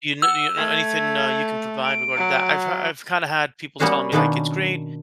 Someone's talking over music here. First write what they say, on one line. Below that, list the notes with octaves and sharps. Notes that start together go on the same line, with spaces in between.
You kn you know anything, uh, you can provide regarding that? I've ha I've kinda had people telling me, like, "It's great,
F#5 E6
A3 G#6
D7
F#3
G3 A#3 B3 C#4 F#4 F5
B2 D#3 A#3 B3 C#4 D4